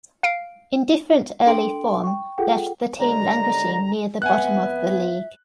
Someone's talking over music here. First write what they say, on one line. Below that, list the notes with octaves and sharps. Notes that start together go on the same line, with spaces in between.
Indifferent early form left the team languishing near the bottom of the league.
F5 C7 D7
D4 A4 G5 C6 D7 F#7
G5 C#6
F4 G#4 A4 F#5 G5
D#2 D3 G#3 A#5
F2 B3 E5 F#5 G#5 F#6